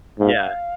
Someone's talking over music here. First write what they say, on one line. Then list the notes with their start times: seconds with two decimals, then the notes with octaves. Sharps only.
Yeah. E
0.19 G#2 F5